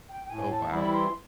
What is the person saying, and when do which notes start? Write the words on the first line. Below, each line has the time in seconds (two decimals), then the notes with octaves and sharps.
Oh, wow.
0.09 G5
0.24 G5
0.30 A2 G#5
0.51 A5
0.71 E3 G3 C4 E4 B5
0.93 C6